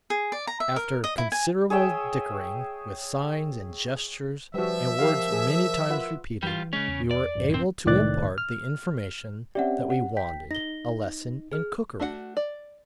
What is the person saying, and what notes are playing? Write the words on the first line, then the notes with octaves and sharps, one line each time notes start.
After considerable dickering, with signs and gestures and words many times repeated, we were able to impart the information that we wanted a lesson in cookery.
G#4
D5
A#5
E5
A#4
D#5
E4
G#5
G#4 C#5 E5 G5
F3 G3 F#4 B4 E5
F3 G4 A#4 F5
G#4
F4 B4 F#5
E3 G3 F4
C#3 G#3 C#4
E2
D5
A1 F#2 A2
B1 C4
C2 A2 D#3 D5 F#6 A6
F6
C4 C#4 G4 D5 E5 F#5
F#5
G5 B6
D#4 A#6 G7
G#4 F6
A3 D4 F#4 C#5 F#5
D5